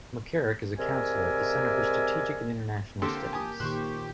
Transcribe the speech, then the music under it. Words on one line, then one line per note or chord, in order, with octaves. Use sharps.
McCarrick is a counselor at the Center for Strategic and International Studies.
C3 G#3 A#4 D5 E5 G#5
D3 A#3 C4 G4 A4 A#4 C5 C6
G#5 A5 D#6
A#2 D#3 C5 C#6 F#6